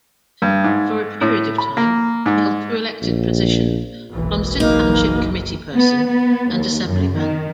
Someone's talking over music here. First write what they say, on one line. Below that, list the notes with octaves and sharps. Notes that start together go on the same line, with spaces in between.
For a period of time, he held two elected positions-Plumsted Township committeeperson and Assemblyman.
G2
G#2
A2
B5
A#3
G#2
A#1
F#1 B1 E3
A#3 D#4
B3
B3
D#2
F#2
D#3